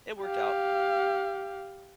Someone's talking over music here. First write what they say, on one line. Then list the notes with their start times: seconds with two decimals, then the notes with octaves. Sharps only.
it worked out.
0.23 G4 F5